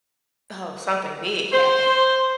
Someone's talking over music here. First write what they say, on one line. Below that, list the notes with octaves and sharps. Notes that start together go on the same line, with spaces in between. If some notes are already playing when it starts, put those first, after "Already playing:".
Oh, something big happened,
C5